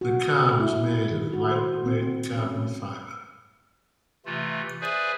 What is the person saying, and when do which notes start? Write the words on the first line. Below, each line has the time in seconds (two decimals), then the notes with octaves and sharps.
The car was made of lightweight Carbon Fibre.
0.01 F#4
0.60 E4
1.11 D#3
1.33 F#4
1.51 C5
1.86 C4
2.36 C#4
4.26 C3 E3 A3 F4
4.81 G#4 B4 C5 D5 E5 G#5